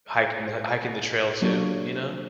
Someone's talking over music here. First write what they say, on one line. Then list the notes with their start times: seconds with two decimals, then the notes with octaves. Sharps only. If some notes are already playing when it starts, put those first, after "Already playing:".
hiking tha hiking the trail too, you know,
1.42 F#3 A#3 D4 G4 A4 C#5